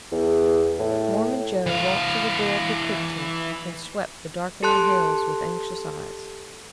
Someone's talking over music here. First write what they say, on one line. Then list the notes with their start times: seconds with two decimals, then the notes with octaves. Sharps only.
Mormon Joe walked to the door of the cook tent and swept the darkening hills with anxious eyes.
0.12 E2
0.79 A2
1.66 E3 F5
4.63 G4 A4 A5 C6 F#6